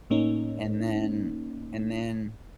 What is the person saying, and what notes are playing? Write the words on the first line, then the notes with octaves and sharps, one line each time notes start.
and then and then
A2 A#3 C#4 D#4